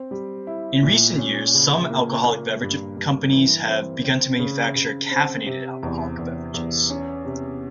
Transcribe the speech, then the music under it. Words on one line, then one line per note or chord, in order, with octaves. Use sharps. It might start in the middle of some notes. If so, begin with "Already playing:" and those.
In recent years, some alcoholic beverage companies have begun to manufacture caffeinated alcoholic beverages.
Already playing: C4
G3
E4
A#2
C#4
C#3
A#3
A#3
G2
G2
E3
C4
C4
C#3
C#3
C4
C3
E2
E2
E2
C#4
C3